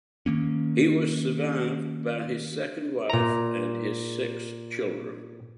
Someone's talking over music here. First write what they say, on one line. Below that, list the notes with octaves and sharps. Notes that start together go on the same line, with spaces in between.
He was survived by his second wife and his six children.
D#3 F3 A#3 C#4
A#2 A#5